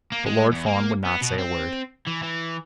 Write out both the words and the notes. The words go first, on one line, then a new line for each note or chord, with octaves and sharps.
But Lord Fawn would not say a word.
A#3
G#3
E2
A#3
B3
B2
C4
E3
E3